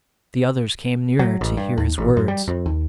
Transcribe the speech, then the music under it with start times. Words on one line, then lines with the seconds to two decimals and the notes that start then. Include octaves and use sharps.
The others came nearer to hear his words.
1.19 F#3
1.41 A1
1.57 G2
1.78 D#2
1.98 A1
2.17 F#2
2.28 G3
2.48 F2
2.66 D#2